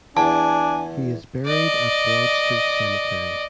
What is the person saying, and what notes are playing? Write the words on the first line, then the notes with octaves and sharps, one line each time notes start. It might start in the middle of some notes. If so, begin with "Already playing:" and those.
He is buried at Broad Street Cemetery.
E2 D4 G#5 A5
D5 D#5